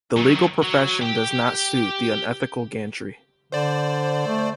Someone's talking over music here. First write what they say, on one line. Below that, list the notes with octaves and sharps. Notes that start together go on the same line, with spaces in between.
The legal profession does not suit the unethical Gantry.
D#3 F#3
F#3
G4 G5
D3 C5 D5
A3